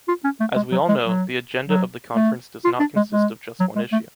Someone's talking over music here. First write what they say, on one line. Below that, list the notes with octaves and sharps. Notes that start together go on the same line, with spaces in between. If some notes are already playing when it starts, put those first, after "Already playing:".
As we all know, the agenda of the Conference does not consist of just one issue.
F4
C#4
A3
G#3
F#3
G#3
F#3
F#3
A3
F4
D4
G#3
G#3
F#3
G#3
A3